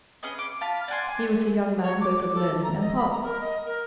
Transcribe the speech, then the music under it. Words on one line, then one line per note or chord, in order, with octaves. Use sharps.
He was a young man both of learning and parts.
C#4 G#4 B4 D#5
D6
F4 F5 A5 B5
D5 F#5 G#5 C6
G#5
C#5
D6
A4
A#5
D#5
B5
A#5
A#4
D#5
A#4